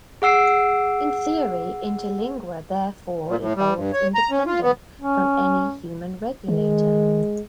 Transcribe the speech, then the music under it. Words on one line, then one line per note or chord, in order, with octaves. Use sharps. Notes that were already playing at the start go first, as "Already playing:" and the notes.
In theory, Interlingua therefore evolves independent from any human regulator.
G#4 F#5 E6 C7 D7
A#2
A2
G3
G2
C#5
A#5
C#4
F4
B3
C#4
D#3 G#3